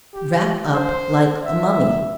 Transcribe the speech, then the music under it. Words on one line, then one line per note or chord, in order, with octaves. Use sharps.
Wrap up like a mummy.
G4
C5
E5